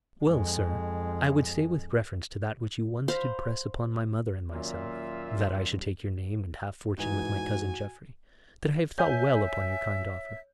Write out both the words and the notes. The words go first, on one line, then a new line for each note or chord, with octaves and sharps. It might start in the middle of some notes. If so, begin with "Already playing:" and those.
"Well, sir, I would say with reference to that which you once did press upon my mother and myself--that I should take your name and half-fortune with my cousin Geoffrey--that I have thought well upon your kind offer."
F2 G#3
C5 F5 B5
D#2 A#2 F#3 C#4 F4 E5
G#2 E3 F#4 G#5
C#5 E5 G#5 G6